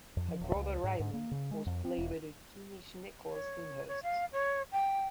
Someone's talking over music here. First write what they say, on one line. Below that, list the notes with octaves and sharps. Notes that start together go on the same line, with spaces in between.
Her brother Raymond was played by a teenage Nicholas Lyndhurst.
F2
F3
D1
C#2
G#2
G#2
A#3
C#3
G#3
F2
C4
E1
C#5
C#5
F5
C#5
G5